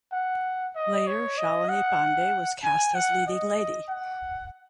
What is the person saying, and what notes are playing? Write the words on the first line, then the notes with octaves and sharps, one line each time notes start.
Later Shalini Pandey was cast as leading lady.
F#5
D#5
C#5
D#5
F#5
G#5
F#5
D#5
F#5